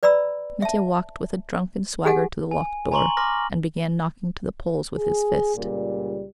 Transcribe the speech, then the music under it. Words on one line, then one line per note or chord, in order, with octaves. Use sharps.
Mitya walked with a drunken swagger to the locked door, and began knocking to the Poles with his fist.
B4 D5 A#5 B5 E6
E5 A5
G4 G#4 F#5 G#5
G#5
G#5 A#5 C6 C#6 F#7
C6 D6 F6 A#6
G#4
C#2 A#2 G3